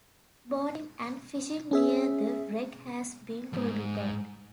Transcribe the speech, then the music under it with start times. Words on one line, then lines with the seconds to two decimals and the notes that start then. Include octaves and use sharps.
Boating and fishing near the wreck has been prohibited.
1.71 C#4 G#4 E5
3.53 E2 G#2